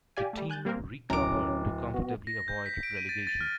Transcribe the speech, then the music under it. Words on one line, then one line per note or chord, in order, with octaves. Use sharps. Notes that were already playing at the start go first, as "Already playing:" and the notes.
The team recovered to comfortably avoid relegation.
G4 D5 F5 G#5
G3 A3
G#5 F#6 G6 A6
G3 A#3 C4 A#4
D1 C#4 A#5 D6
B3 F#4
A#6
G6
B6
D7
D#7
A6
A6
F6